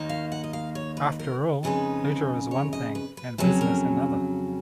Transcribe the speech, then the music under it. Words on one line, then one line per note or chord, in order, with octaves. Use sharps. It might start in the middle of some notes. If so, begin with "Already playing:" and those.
After all, pleasure is one thing and business another.
Already playing: D#2 D#3 A#3 D#4
F5
F#5
D#5
F5
C#5
B4
A#4
F2 C#3 G#3 D#4 B4
C#5
D#5
B4
B4
F2 C#3 F#3 C#4 B4
A#4